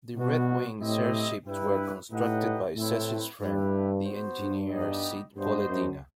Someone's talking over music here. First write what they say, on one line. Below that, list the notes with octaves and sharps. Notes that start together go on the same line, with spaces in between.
The Red Wings' airships were constructed by Cecil's friend, the engineer Cid Pollendina.
B2 G3 B3 F#4
A2 C4 E4 G4 D#5
G2 E4 G4 B4
A2 D#4 G4 B4 D#5 F#5
A2 A3 C4 E4 B4
G2 A3 E4 G4 B4
B3 F#4 C5
G2
G3 B3 D#4 G4 D#5
G2 B3 F#4 C5 D#5
F#2